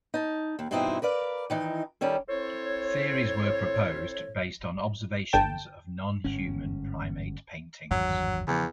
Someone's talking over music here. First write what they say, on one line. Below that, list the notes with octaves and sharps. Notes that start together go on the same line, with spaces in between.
Theories were proposed based on observations of non-human primate paintings.
D#4 A5
D#2
G2 B2 E3 C4 D#4 E4
A#4 B4 D5 F5
D#3 E3 D#4
D#3 G3 C#4 A4
C4 E4 A4 C5 C#5
G1 D3 G5 A5
G1 G#2 C#4
G#1 E2 G2 F#3
E2 C#3 F3